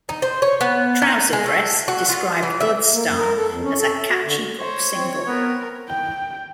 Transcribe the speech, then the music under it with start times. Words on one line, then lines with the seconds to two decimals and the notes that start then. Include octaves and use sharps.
"Trouser Press" described "Godstar" as "a catchy pop single".
0.09 D#4
0.22 C5
0.42 C#5
0.61 B3
1.02 D#4
1.33 G#3
1.46 A3
1.88 F#4
2.09 F4
2.43 E3
2.60 E5
2.93 A#3
3.07 F#2
3.19 A#4
3.38 A4
3.49 F2
3.63 C#4
3.80 A4
3.98 E5
4.10 F#4
4.24 D3
4.60 C5 C#5
4.95 C4
5.27 B3 A#4
5.88 G5